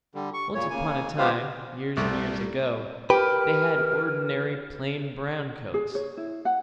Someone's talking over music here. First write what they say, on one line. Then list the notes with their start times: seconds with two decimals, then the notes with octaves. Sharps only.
Once upon a time, years and years ago, they had ordinary plain brown coats.
0.15 D3 G3
0.34 C#6
0.55 F#2 A#2 C#3 C#5
0.70 C#3 A#3 G#5
1.18 G#3 B3 F4 G4 C5 F5
1.97 C2 G3 A3
3.10 G4 A#4 B4
5.74 G#4
5.95 C#5
6.17 E4
6.45 F#5